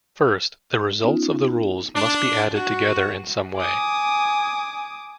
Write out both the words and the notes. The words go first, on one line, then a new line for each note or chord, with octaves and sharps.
First, the results of the rules must be added together in some way.
B3 C#4 D#4 F4
D4
F#4
G#5 D6 D#6